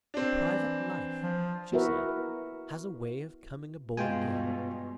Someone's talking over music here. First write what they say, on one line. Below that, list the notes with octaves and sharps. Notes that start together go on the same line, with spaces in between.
"The private life," she said, "has a way of coming aboard again."
C4 D4
E3
F3
B3 E4 F#4 A#4 B4 E5
G2 B2 G#3 F4 G5 G#5